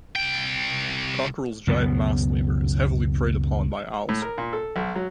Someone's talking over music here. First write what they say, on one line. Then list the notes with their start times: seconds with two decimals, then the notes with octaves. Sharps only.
Coquerel's giant mouse lemur is heavily preyed upon by owls.
0.16 C2 G5
1.67 C#2 F#2 B2 B3
4.09 A2
4.22 A#4
4.38 A#2
4.53 A4
4.76 B1
4.95 F#3